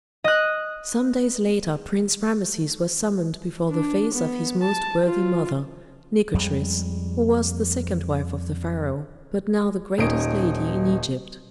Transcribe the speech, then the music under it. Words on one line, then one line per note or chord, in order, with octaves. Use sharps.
Some days later Prince Rameses was summoned before the face of his most worthy mother, Nikotris, who was the second wife of the pharaoh, but now the greatest lady in Egypt.
D#5 F#6
D4
B3
A5
F4
F2 G3 G#3
D#1 C#4 D#4 D#5 D7